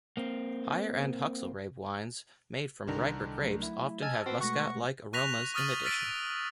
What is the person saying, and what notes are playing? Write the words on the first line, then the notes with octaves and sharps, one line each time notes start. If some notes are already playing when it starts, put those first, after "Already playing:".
Higher-end Huxelrebe wines made from riper grapes often have muscat-like aromas in addition.
A#3 C4
C2 D3 D#3 D4 A#5
F#3 A3
E4
D#5 G#5 A5 E6 F6 A6
C4 F#4 B4
B2 G#3 A3 F#5 C#6 A#6
C#6 F#6 A#6 B6 F7
C#6 D#6 F6 A6 D#7 F#7
E6 F6 A6 B6 D7